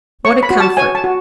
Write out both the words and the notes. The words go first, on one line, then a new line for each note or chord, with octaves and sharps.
What a comfort.
C#5 C#6
B5
F#4
A5
C#5 G#5
A5
F#4